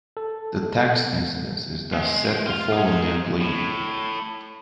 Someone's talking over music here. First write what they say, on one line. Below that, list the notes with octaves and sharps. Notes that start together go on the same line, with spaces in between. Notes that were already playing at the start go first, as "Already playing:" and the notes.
The tax incidence is thus said to fall on the employee.
A4
G#3
F4 F5
D#4 G#4
A2